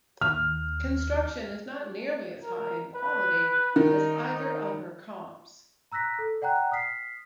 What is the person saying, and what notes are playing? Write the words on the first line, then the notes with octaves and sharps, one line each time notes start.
Construction is not nearly as high in quality as either of her comps.
D#2 F6
A#4
B4
D#3 D#4
A#5 E6 F#6 A#6 B6
A4
D5 F#5 G5 A#5 F#6
D#6 F6 B6 C7